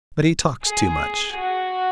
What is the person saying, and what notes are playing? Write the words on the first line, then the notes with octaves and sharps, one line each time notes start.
"But he talks too much."
G#4
F#4